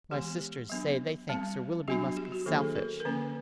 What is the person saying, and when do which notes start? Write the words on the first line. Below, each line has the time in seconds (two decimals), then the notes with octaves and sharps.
My sisters say they think Sir Willoughby must be selfish.
0.11 E3 G#3 B3 G4
0.70 F#3 B3 D4
1.29 G3 C4
1.88 F#3 B3 D4 F#4
2.17 G4
2.32 F#4
2.46 D#3 F#3 A#3 D4 A4
2.54 G#4
2.61 A4
2.75 A#4
3.00 A#4
3.05 D3 F3 A#3 C#4 B4